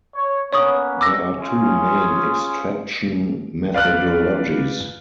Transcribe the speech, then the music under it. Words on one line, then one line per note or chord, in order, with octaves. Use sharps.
There are two main extraction methodologies.
C#5
A#3 B3 C#4 C#5 C#6 D#6
D6 E6 A#6
C#4 F4 G#4
B4 D5 F5 F6 F#6